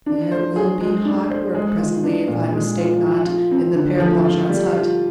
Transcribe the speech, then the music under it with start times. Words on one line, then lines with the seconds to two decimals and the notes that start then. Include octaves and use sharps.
There will be hot work presently, if I mistake not, in the Pere Blanchard's hut.
0.06 D4
0.31 C5
0.56 G#4
0.81 G#3
1.05 D4
1.30 C5
1.54 G#3
1.78 F4
2.04 D4
2.28 A#2
2.52 G#3
2.77 F4
3.01 F3
3.26 F4
3.51 C4
3.75 D3
4.00 F3
4.25 F4
4.49 G3
4.74 F4